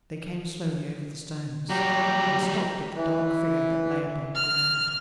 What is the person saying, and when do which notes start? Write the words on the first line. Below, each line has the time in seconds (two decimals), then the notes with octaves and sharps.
They came slowly over the stones, and stopped at the dark figure that lay upon the ground.
1.70 F#3 G3 G4 A#5
2.96 E3
4.35 F6